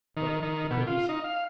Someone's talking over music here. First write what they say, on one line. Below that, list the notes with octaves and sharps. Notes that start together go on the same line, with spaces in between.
But the cookies!
D#3
D#3
B2
F4
D#4
F5